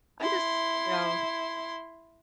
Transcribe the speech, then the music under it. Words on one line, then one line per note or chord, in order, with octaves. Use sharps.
I'm just, you know,
E4 C6